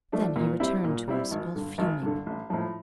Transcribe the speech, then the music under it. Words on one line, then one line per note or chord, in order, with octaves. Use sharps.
Then he returned to us, all fuming.
F3 A3 D4
A#2
G3 C4 E4
A#2
G3 C4 E4
G#1
G2 D3
G#1
G2 D3
A1
A2 F3